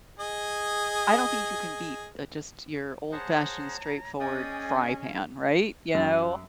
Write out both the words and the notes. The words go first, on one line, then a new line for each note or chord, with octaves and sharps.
I don't think you can beat uh, just your old fashioned straightforward fry pan, right? You know?
G#4 D#5
G#4 C5 C#5 F#5 A5 A#5
C#4 G#4 D5 D#5 G5 G#5 D#6
F#2